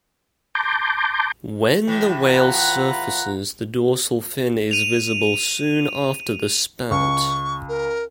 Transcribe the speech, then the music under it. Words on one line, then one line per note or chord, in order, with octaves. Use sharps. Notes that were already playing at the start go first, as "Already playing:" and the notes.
When the whale surfaces, the dorsal fin is visible soon after the spout.
A5 A#5 C6 D6 G6
A2 E3
F4 B4 F#5 A#5
D#7 F7
C#2 C#6
A#4